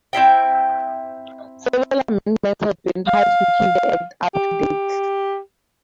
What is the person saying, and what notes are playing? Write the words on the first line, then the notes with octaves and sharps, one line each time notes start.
Several amendments have been passed to keep the Act up to date.
C4 E4 E5 G5
F5
G4